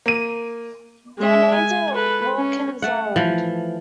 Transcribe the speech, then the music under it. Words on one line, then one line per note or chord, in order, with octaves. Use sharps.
They named it Wilkins Island.
A#3 D#7
G#3 E5
G#5
A4 B4
C#4
A3 F#5
E3 F3